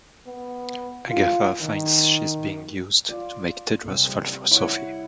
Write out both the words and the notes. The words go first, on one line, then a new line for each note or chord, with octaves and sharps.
Agatha finds she is being used to make Tedros fall for Sophie.
B3
F4
D#3
F4 D5
C3 G3 C4
G3
E4 C#5 F#5